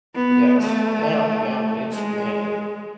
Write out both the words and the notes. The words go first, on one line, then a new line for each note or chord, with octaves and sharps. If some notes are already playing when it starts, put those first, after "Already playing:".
Yes. Yeah, yep, it's yeah, i
B3
A3
A3
G#3